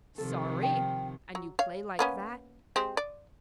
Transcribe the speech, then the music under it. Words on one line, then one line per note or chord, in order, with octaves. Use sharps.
"Sorry!--and you play like that!"
C3 D#3 F3 A4
D#4 G5
F#3
C#5 F5
A#3 B3 C#4
G#3 C4 G4
D5